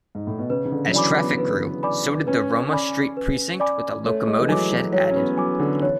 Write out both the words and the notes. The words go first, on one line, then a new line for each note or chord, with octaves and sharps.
As traffic grew, so did the Roma Street precinct with a locomotive shed added.
G#2
A2
B2
C#3 B4
C#3
D3
F#3
E3 D5 G#5 B5 D6
B3
B4
D5 G#5 B5 D6
C#4 B4
D5 G#5 B5 D6
B4
D5 G#5 B5 D6
A3 C#5
G#3
E3
F#3 G#5 D6
F#3
F#3 C#5
C#4
B3
F#3 G#5 D6
D3
E3 C#5